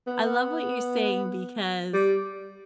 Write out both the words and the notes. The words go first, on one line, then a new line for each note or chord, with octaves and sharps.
I love what you're saying because,
B3
G3